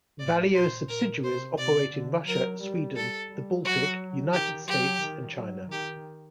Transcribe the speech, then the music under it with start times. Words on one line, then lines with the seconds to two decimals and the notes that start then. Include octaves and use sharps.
Valio subsidiaries operate in Russia, Sweden, the Baltic, United States and China.
0.19 A2 D5
0.54 A#2 C5
0.88 A#4
1.23 C3 C5
1.58 C3 D5
1.93 D3
2.26 F#3 A#4
2.61 G3
2.96 A4
3.30 G3
3.65 F#3 F#4
4.33 D#3 G4
4.67 F#3 G4
5.02 D#3
5.36 F#3
5.71 D#3 G4